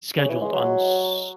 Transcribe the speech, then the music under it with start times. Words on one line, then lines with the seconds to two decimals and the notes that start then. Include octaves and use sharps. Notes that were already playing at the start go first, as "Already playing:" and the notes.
scheduled on S
0.18 C#3
0.29 E3
0.41 G#3
0.54 F#3